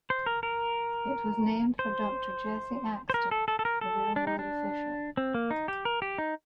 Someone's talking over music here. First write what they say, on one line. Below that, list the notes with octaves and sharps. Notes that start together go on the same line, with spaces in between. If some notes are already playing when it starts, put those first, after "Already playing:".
It was named for Doctor Jesse Axtell, a railroad official.
C5
A#4
A#4
C5
C5
A#4
A4
A4
A4
A#4
A4
D4
D#4
D4
C4
A#3
D#4
G4
A#4
G4
D#4